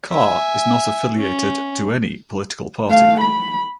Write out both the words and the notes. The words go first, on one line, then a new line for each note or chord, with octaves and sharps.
Khair is not affiliated to any political party.
E5 G#5
C#4
A3 F5
B5